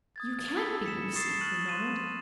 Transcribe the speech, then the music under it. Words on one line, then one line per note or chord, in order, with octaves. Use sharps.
"You can't be Lucy!" he murmured.
D#6 G#6 A6
A5 B5 E6 B6
B6 C#7 E7
C#6 D#6 A6 C7 E7
C#6 F6 F#6 D#7 F#7
C6 C#6 F#6 D#7 E7